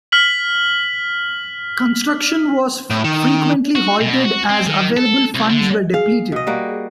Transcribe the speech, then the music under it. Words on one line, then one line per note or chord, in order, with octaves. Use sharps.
Construction was frequently halted as available funds were depleted.
F6 B6 F#7
A2
D#3
F#4
B2
F#4
C4
D#3
A4
C2
D3
G#4 F5
B2 D#5
G3 A#3 F#4